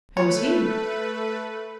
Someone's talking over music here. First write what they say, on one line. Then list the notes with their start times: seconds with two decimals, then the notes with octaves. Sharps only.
"Who is he?"
0.17 A3 B4 C#5